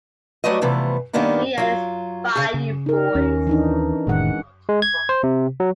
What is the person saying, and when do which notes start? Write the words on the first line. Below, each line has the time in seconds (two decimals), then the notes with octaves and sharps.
B. and his Bayou Boys.
0.44 F#3 G3 A3 F#4 B4 D#5
0.61 C3 E3 F3 A3 B3
1.13 D#3 G3 A#3 B3 D4 D#4
1.58 F#3 F4
2.35 C#3 G#4
2.54 C#3
2.86 D#4 A#4
3.15 D#2 C#4
3.47 E3 D4 D#4
4.07 F1 A2 D#3 G#3 F#5
4.69 G#3
4.82 G#6
5.09 C5
5.23 C3
5.60 F#3